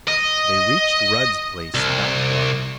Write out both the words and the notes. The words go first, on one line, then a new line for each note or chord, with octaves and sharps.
They reached Rudd's place about dark.
D#5
C2